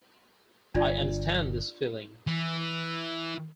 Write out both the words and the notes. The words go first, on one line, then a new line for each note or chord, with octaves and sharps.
I understand this feeling.
G1 D4 F4 D5
E3